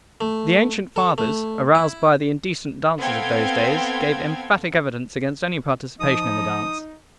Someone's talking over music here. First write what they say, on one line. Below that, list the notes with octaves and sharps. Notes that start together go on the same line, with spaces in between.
The ancient fathers, aroused by the indecent dances of those days, gave emphatic evidence against any participation in the dance.
A3
A4
A3
E4
B3 C4 A4 F5 G5 G#6
F3 D#4 D#6